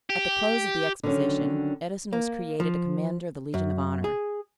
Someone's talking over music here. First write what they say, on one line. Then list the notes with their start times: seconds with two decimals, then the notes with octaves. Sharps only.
At the close of the Exposition Edison was created a Commander of the Legion of Honor.
0.10 G4
1.03 D3 D#3 F#3 C#4 D4
2.13 A#3
2.60 F3
3.54 F#2
4.04 G#4